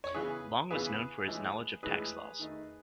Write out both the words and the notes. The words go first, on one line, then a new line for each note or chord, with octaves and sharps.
Long was known for his knowledge of tax laws.
C#5
C#3 E3 B3 G#4 B4
C#3 E3 B3 G#4 B4
A2 E3 G#3
A2 E3 G#3 G#4 B4
D#3 A3 D#4